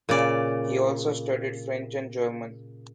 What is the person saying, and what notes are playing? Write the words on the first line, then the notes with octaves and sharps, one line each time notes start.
He also studied French and German.
A#2 C#3 D5